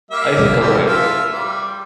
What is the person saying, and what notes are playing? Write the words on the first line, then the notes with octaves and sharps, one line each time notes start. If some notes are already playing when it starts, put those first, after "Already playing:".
I think I’ll wait.
G3 A#3 E5
E3 F3 G3
F4 E5
G3